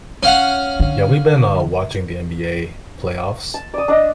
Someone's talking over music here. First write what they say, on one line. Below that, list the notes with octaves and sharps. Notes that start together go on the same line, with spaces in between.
Yeah, we've been, uh, watching the NBA playoffs,
C#4 F5 F#5
D3
A5
D5 D#6
D4 D#5